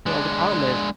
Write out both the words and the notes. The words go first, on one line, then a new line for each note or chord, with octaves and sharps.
Well, the problem is
G#3 D4